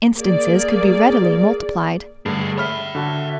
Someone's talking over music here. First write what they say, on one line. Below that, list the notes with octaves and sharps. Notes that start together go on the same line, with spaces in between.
Instances could be readily multiplied.
A#3 G#4 D5
G2 D3 A3 G#4
C#5 E5 B5 F6
D3 F#4 A5